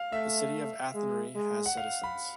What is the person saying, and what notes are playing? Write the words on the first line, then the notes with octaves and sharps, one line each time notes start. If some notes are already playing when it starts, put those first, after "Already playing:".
The city of Athenry has citizens.
Already playing: F5
A3 E5
G#3
G#3
F#5
F5
B5